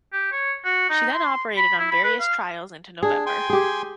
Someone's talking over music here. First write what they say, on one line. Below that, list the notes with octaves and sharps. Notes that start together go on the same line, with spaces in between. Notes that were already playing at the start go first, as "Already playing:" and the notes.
She then operated on various trials into November.
G4
C#5
F#4
D#4
C6
B5
E4
B5
B4
F5
D4 G#4
G5 G#5 C6
G4 G#4